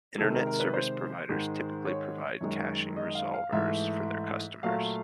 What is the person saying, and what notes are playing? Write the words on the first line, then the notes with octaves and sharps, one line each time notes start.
Internet service providers typically provide caching resolvers for their customers.
C3 D#3 G#3 A4
A#4
A#4
B4
C5
G#2 D#3 G#3
C#5
F#2 D#3 G#3
D#5
F5
F5
G#2 E3 A3 E5
A#2 F#3 A3 F5